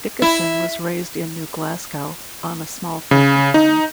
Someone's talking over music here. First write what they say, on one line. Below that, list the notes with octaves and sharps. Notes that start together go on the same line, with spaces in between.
Dickieson was raised in New Glasgow on a small family farm.
E4
C#3
D#4